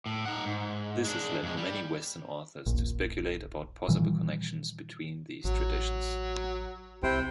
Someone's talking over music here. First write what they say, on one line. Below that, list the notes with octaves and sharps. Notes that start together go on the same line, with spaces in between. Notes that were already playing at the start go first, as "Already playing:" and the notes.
This has led many western authors to speculate about possible connections between these traditions.
A2
D#4 F#5
G#2
G#3 D4
F2 G#3
G3
D#1 A#1
A#2 D#3 E3 G3
A1 F#3
C#2 C3 E4 C5 G5